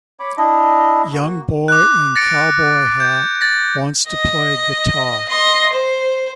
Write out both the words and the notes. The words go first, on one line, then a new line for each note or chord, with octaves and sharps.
Young boy in cowboy hat wants to play guitar.
C#5 B5 D6
D4 E4 D#5
A#3 F#4
D6 F#6
A6 A#6 C#7 D7
G6
A6 A#6
D#5
D#5 C6
C5